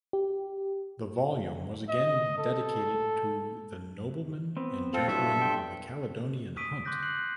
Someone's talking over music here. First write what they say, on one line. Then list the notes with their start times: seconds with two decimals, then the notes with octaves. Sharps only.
The volume was again dedicated to the "Noblemen and Gentlemen of the Caledonian Hunt".
0.13 G4
1.89 D#5
2.38 A4
4.57 B3 C4
4.94 C4 F4 A4
5.08 G2 F#3 E4 F4 A4 E5
5.42 G5 C6
6.57 C#6 D#6 E6 B6 D7 D#7
6.85 C6 D6 D#6 F#6 G6 A#6
7.02 F#6 C7 F#7
7.17 F#6